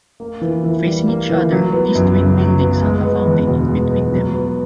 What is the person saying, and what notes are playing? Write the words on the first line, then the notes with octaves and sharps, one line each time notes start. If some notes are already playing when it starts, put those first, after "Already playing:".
Facing each other, these twin buildings have a fountain in between them.
A#3
E3
E3
G3
A#3
E3
F#3
B3
F#2
C#3
F#3
B3
G#3
B3
E2
B2
G#3
B3
F#3
B3